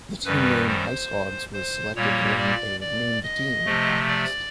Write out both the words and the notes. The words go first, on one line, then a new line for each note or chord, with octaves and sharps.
The team name, IceHogs, was selected during a "name the team" contest.
F#2 D#3 G3 B4
C5
C5
A#2 G3 A#3 C#5
D5
D5
D#5
C3 F3 A3
D5